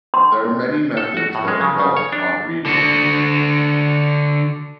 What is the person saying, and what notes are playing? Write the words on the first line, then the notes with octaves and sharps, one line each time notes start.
There are many methods that involve hot reading.
C6
A4
F#4
A2
G#3
C#3
C#3
C#5
D4
D3 F#4